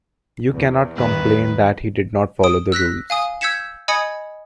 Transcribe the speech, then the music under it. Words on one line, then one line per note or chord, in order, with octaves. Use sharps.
You cannot complain that he did not follow the rules.
E2
G2 D#3 B4
D#6 D7
E6 F#6 A#6 B6
F5 G#5 D#6
E6 G6 G#6 B6 C#7 E7
D#5 G#5 B5 D#6 G#6 C#7